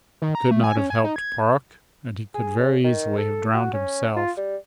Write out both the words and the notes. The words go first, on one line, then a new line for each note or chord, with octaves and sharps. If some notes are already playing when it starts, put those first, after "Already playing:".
He could not have helped Park, and he could very easily have drowned himself.
D#3
A#5
A3
G#5
C#4
G#5
D#4
G#6
G#4
C#3
D#3
A4
F#4
C#4
F4
G3